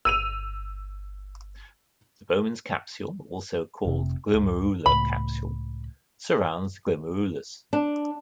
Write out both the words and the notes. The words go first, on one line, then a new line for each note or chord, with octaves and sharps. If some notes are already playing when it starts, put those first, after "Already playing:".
The Bowman's capsule, also called the glomerular capsule, surrounds the glomerulus.
G1 E6 D#7 F7
F1 C3
D1
C#2 A2 B5
D4